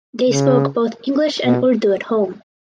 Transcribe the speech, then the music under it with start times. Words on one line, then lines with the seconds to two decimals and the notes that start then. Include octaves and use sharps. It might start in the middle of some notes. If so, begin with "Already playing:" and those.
They spoke both English and Urdu at home.
0.30 C#3
1.46 B2